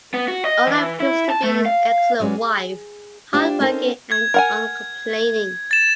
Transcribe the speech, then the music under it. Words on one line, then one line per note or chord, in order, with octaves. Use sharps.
O-Lan proves to be an excellent wife, hard working and uncomplaining.
B3
F#4
D#5
E3
E4
A5
A3
F5
F#3 G#3 C#4 B4 D5
G#4
D4 F4 G4 C5
C4 C#4 D#4 A4 A#4 C5
G#6
A#4 F#5 G#5
A6 E7